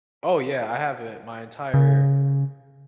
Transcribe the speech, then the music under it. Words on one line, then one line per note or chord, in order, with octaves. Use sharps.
Oh, yeah. I have it my entire
C#3